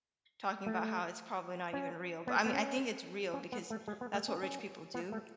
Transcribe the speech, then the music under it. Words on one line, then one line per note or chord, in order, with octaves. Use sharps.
talking about how it's probably not even real, but I mea I think it's real because that's what rich people do.
A3
C#4
B3
B3
C#4
C#4
B3
A3
G#3
B3
A3
C#4
C#4
B3
A3